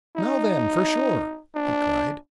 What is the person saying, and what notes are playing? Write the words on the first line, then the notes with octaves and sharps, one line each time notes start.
"Now, then, for shore," he cried.
D#4
D4